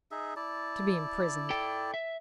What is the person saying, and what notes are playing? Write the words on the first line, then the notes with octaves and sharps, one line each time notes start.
To be imprisoned.
D#4 G#4 E5
E4 D5 A5
A4 G5
E5